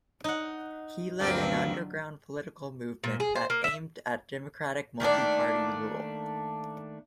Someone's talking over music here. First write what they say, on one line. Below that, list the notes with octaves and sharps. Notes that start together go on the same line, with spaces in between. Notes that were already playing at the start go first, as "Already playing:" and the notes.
He led an underground political movement that aimed at democratic multi-party rule.
D#4 F#5
D2 G2 D3 F3 F#3 A#3 C4
A#2
G#4
C5
A#3
E5
D#3 A3 A#3 D4